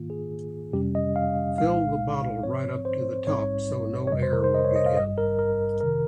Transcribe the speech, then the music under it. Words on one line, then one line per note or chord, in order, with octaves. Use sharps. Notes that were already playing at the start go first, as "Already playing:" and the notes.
Fill the bottle right up to the top so no air will get in.
Already playing: G#2 D#3 A#3 F4
G#4
F2 C3 G3 C#4 G4
D#5
F5
C2 A#2 G#3 D#4 F5
G#2 F3 C4 C#5
C5
A#1 G#2 G3 C4 D#4 C#5
C#5
F2 C3 G3 D#5
C5
A#4
C5
D#5
C#5
D#5
F5
G#1 G2 G3 D#5
A#4
A#4
F2 C3 D#3 A#4